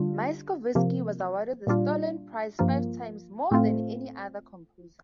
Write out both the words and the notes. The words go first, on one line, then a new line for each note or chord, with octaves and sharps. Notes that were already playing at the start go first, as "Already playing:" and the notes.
Myaskovsky was awarded the Stalin Prize five times, more than any other composer.
Already playing: D3 G3 D4 F4
C3 F3 A#3
A#2 G3 D4 F4
G2 F3 A#3 F4
A2 A3 C4 F4